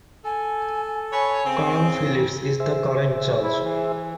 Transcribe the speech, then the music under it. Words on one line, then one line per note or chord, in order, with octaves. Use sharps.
Carl Phillips is the current judge.
A4 G#5
B4 C#5 G#5
C#3 C4
G#4 C5 E5
E4
E3